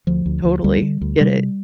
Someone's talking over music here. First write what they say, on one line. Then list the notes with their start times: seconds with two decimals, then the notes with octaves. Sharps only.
totally get it.
0.07 D2 F3
0.26 D2
0.44 D2
0.64 D2 G3
0.82 D3
1.01 D2
1.20 C3 G3